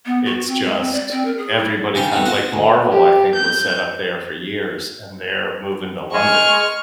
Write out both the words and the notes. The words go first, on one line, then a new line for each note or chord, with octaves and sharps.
It's just everybody kind like Marvel, I think, was set up there for years, and they're moving to London.
B3
F#4
C4
G#3
C4
D5
C4
A#4
G#4
E4
C#3 C#4 C5 G5 C6
A3 B3 C4 D#4
F4 F#4 D#5 A5
D2
G4
G6
G#3 C#6 F6